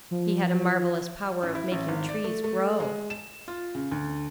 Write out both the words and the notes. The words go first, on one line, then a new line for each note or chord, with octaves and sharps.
He had a marvellous power of making trees grow.
F3
A1
E4
A1
G#1
D5
A3
A3
G#3
E7
F4
C#3
D2